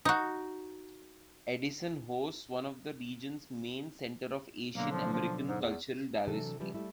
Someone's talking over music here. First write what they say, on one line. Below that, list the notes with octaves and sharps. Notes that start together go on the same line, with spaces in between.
Edison hosts one of the region's main centers of Asian American cultural diversity.
D#4 F#4
B1 D3 A#3
F3
F3
G#2
E2
C3 E3 F#3 C4 D4 A4
C#3 F3 G3 E4 B4
G3 A3 E4